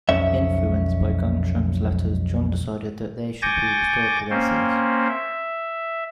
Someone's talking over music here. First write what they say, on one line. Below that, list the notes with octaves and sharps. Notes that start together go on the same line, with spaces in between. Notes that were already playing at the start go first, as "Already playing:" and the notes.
Influenced by Guntram's letters, John decided that they should be restored to their sees.
B1 F2 C#4 E5
G#5 C#6 D6 G6 A6 A#6
A#3 C4 C#4 C5
E5